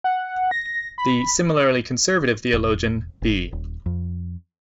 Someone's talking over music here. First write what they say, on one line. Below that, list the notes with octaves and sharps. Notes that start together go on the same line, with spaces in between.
The similarly conservative theologian B.
F#5
A#6
B5
E1
F#1
D#1
F2